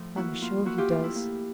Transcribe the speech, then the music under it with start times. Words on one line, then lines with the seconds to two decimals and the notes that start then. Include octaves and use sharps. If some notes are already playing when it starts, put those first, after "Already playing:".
"I am sure he does."
Already playing: A2 F3
0.16 A#3 E4 F#4
0.42 A#3 F4
0.65 A#3 E4 F#4
0.78 F4 G4
0.90 A2 F4
1.04 E4
1.15 A#3